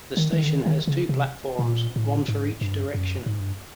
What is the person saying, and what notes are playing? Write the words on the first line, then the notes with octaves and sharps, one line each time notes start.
The station has two platforms, one for each direction.
D#3
D#3
D3
D#3
D#3
C#3
C3
B2
A#2
A2
G#2
G2
F#2
G#2
G2